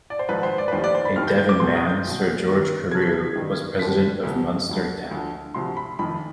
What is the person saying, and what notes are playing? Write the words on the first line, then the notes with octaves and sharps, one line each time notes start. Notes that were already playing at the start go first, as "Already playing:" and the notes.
A Devon man, Sir George Carew was President of Munster temp.
D5
C5
G#1 G#2 F3 B4
C5
D5
B4
F1 D#2 D#3 C5
D5
C5
B5
D#2 D#3 F6
G6
G6
D6
B1 B2 C6
D#6
G6
B1 B2
D#2 D#3
D2 C3 F3 G#6
B6
G#6
G1 G2 D#3
D#2 D3 F3 B6
D2 C3 F3
D2 D3 F3
D2 D3 F3
D2 C3 F3 C6
B5
F1 F2 D#3 B5